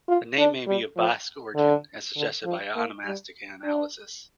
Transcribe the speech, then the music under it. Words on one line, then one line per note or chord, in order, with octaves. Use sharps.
The name may be of Basque origin, as suggested by onomastic analysis.
F4
D4
G3
F3
D3
D3
F3
A#3
G3
D4